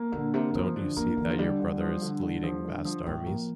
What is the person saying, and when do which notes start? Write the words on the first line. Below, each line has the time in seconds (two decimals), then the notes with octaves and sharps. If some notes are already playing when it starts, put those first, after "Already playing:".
Don't you see that your brother is leading vast armies?
Already playing: A#3
0.12 A#2 D3
0.34 C3 A#3
0.55 E3 F3
0.76 G2 D3
0.97 F3 A#3
1.08 F3
1.17 D3 E3
1.29 F3
1.39 D3 G3
1.60 D3
1.81 F3
2.02 D3
2.23 D3
2.43 F3
2.64 D3
2.85 F3
3.06 A2 G3
3.27 F3 A#3